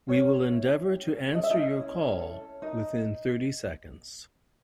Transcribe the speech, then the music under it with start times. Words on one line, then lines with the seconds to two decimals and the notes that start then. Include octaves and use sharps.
We will endeavour to answer your call within thirty seconds.
0.08 C#4 G4 C#5
0.30 C#4
0.51 E4
0.72 C#4
0.93 G4
1.14 C#4
1.35 A4 D#5
1.43 E5
1.50 D#4 D#5
1.56 C#4
1.77 E4
1.98 C#4
2.19 A4
2.41 C#4
2.62 D#4 A#4 D#5